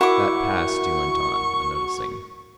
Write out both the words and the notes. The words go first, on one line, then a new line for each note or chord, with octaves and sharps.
"That passed," he went on, unnoticing.
E4 F#4 A#4 F#5 C#6 D6